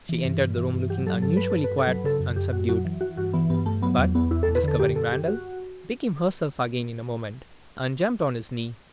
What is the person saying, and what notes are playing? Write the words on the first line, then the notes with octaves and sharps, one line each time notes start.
She entered the room looking unusually quiet and subdued--but, discovering Randal, became herself again in a moment, and jumped on his knee.
E3
G2
G2
E3
G2
F#3 G4
F#3 A4
G2 A4
G2 B4
A4
G2
B4
G2
A4
F#3
B4
C#3 A4
F#2
F#2 G4
F#2 F#4
F#3 F#4
E3
E3 F#4
G2 F#4
E3 B3
G2 B3
G2 A3
F#3 B3
E2
E2 B3
E2 E4
A4
E2
B4
D3 A4
F#2 G4
F#2 A4
F#2 G4
F#4